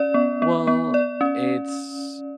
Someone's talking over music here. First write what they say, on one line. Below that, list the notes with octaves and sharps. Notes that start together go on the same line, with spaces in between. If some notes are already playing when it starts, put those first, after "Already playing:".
Well, it's
Already playing: C#4 D5
B3
B3
B3
D5
C#4